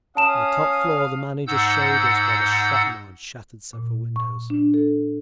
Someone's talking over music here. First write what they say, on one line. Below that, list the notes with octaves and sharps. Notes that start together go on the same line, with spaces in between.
On the top floor the manager showed us where shrapnel had shattered several windows.
C#4 F5 A5 D#6 E7
G#2 F#5 E6 G6
A#2
C#6
D4
A4